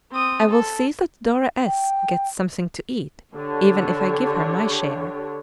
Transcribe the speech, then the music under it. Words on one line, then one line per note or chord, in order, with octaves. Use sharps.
I will see that Dora S. gets something to eat, even if I give her my share.
C4 D#6
A4
G5
D3 G4 C#5